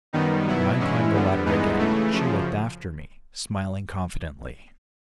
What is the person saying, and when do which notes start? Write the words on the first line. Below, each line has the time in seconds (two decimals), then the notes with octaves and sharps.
When I climbed the ladder again, she looked after me, smiling confidently.
0.13 F#2 D#3 G3 B3 D#4
0.47 B2 F#3 B3 E4
0.79 G2 E3 G#3 C#4 E4
1.13 D3 G3 B3
1.46 G2 E3 G#3 B3 D#4
1.78 C#3 E3 A3
2.12 F#2 C#3 F3